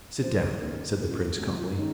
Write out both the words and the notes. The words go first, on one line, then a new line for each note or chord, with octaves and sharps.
"Sit down," said the Prince calmly.
F#2 C#3 F3 C5
D#3 A#3 C#4
F#1 F#2 C#3 A#4
F4
F#4
G#4
C#2 C3 D#3 F#3 F#4
F4
F4
D#3 G#3 C#4 D#4